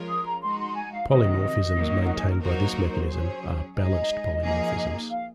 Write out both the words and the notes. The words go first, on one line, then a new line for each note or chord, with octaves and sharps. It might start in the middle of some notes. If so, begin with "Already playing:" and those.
Polymorphisms maintained by this mechanism are "balanced polymorphisms".
Already playing: F3 G#3 C#4 F4 A#4
D#6
A#5
G#3 D#4 F#4 C6
C6
G#5
F5
C3 D#3 F#3 D#5
D#3 F#3 A#3
F#4
G#4
A#4
F#3 A#3 D#4 F#4 A#4 C5
F#3 C#4 G#4
G#3 D#4 G#4 D#5
F3 A#3 D#4 G#4
F5